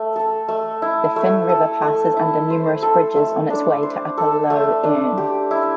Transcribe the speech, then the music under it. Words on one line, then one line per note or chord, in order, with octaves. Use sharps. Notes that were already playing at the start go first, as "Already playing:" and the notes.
The Finn River passes under numerous bridges on its way to Upper Lough Erne.
Already playing: A3
A4
A3
E4
A3
A4
A3
E4
C5
A4
A3
D4
C5
A4
A3
D4
G4
E4